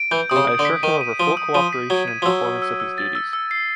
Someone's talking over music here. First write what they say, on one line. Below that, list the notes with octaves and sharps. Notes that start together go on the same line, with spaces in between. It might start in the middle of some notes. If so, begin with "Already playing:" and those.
I assure him of our full cooperation in performance of his duties.
Already playing: D7
E3 G6
C3 D#6
C#3
G6
D3
B6
D#3 D#7
D#7
F3 D#7
D#6
F3 D#7
B6
F#3 G#6
D#7
F3
F#3 E6
E6
E6
E6
A6
E6
E6
C7